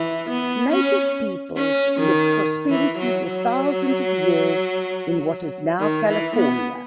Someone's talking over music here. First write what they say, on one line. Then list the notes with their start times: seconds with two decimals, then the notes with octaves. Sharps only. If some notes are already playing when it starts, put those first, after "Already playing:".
Native peoples lived prosperously for thousands of years in what is now California.
Already playing: E3
0.30 B3
0.72 C#4
1.56 C#4
2.00 D#3
2.70 E3
2.98 F#3
3.26 F#3
5.80 D#3
6.08 E3
6.36 B3